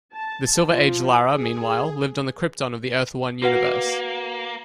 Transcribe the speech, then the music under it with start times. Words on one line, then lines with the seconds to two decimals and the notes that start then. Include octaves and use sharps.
The Silver Age Lara, meanwhile, lived on the Krypton of the Earth-One universe.
0.15 A5
0.69 F3
1.30 G#4
3.42 A#3 F#4 B4 F#5